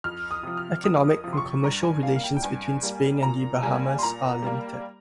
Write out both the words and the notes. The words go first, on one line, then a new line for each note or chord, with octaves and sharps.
Economic and commercial relations between Spain and the Bahamas are limited.
F2 F6
D#6
C3 F3
F6
F2 D#6
D#6
C3 F3
C6
C#6
G2 A#5
G#5
G3 F5
A#3
F5
G5
G5
G2 G#5
G3 A#3
A#2 A#5
G3 A#3 G#5
C6
A#2 A#5
G3 A#3